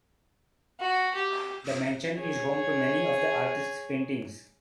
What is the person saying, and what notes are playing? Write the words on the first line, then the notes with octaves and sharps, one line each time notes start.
The mansion is home to many of the artist's paintings.
F#4
G4
G#4 C#5